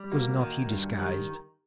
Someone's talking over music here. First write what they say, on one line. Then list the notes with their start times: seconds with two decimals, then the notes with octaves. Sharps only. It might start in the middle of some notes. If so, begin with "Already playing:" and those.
Was not he disguised?
Already playing: G3
0.12 A#3 F#4
0.40 D#3
0.69 G2
0.99 D#3 G4